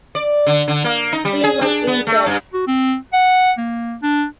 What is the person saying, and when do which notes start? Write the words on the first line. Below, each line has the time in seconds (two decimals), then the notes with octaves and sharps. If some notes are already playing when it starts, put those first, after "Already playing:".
Three were injured.
0.15 D5
0.47 D3
0.68 D3
0.84 A#3
1.13 D#4
1.25 G3
1.44 G#4
1.61 D4
1.87 B3
2.07 A3
2.26 G2
2.54 F#4
2.67 C4
3.13 F#5
3.58 A#3
4.03 D4